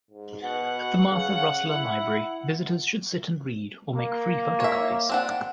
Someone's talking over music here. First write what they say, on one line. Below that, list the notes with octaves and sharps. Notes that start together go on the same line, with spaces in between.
At the "Martha Rosler Library," visitors could sit and read or make free photocopies.
G#2
B2 F#5
C#3
E4
A#3
C#5 E5
C4 D4 F#5